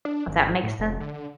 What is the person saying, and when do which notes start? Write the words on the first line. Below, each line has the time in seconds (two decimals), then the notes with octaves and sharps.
If that makes sense.
0.05 D4
0.27 G#1
0.63 A2
0.79 F1
1.00 D3